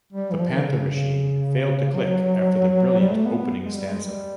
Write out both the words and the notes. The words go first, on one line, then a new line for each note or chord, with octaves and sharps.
The Panther machine failed to click after the brilliant opening stanza.
G3
E3
F3
D#3
C#3
C#3
C#3
F#3
G3
A3
B3
B3
G#3
G3
G#3
G3